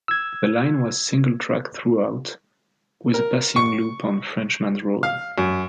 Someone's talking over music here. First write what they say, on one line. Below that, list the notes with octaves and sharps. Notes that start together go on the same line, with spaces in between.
The line was single track throughout, with a passing loop on Frenchmans Road.
E6 G#6
A#4
C#6
F5
F#2